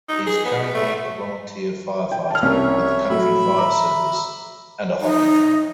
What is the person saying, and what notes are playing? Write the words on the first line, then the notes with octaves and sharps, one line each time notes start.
He's currently a volunteer fire-fighter with the Country Fire Service and a hobby farmer.
D#4
G#4
B3
A3
G5
A5 F6
C2 C#4 C#5 E5
A2 F#3 E5 B5 E6
A#5 D6
D#4